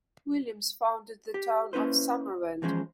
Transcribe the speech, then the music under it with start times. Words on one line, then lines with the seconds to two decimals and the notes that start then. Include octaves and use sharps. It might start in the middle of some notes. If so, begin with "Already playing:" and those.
Williams founded the town of Summerland.
1.34 G4
1.73 A#3 C#4 E4 B4 C5
2.62 E3 F3 G#3 C#4 C5